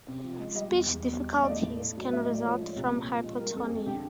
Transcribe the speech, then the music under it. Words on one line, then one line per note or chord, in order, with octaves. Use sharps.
Speech difficulties can result from hypotonia.
C3
F3
G#3
G3 D#5
E2
E2
B2
G3
E2
D5
A3 D#5
A2
A2
F#3
A3 E5
D#5
A2
D5
F3 C#5
G#3
C2
A#2
F3
G#3
G3 A#4
F2 A4
G#4
F2
D3 G4